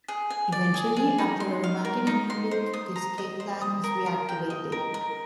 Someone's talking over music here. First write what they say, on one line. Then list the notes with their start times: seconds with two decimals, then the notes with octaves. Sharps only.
Eventually, after a romantic interlude the escape plan is reactivated.
0.08 G#4
0.30 G#5
0.52 D5
0.74 G#4
0.96 G#4
1.18 D#4
1.40 C6
1.64 F5
1.85 A#4
2.07 D#4
2.30 C6
2.51 C5
2.73 D#6
2.96 A#5
3.18 D#5
3.40 C5
3.61 D#6
3.84 A#4
4.06 A#4
4.29 G5
4.50 D#5
4.72 A#4
4.94 A#4